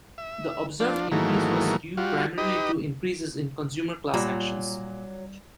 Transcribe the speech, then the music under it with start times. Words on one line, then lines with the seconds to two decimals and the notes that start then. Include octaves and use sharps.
The observed increase was due primarily to increases in consumer class actions.
0.18 E5
0.80 F3 D4
1.11 G#2 D#3 E3 F#3 A3 A#3
1.97 G3 F4 F#4
2.38 D#4 G4 B4 D#5
4.14 A#2 F#3 G3 F4 D5 A#5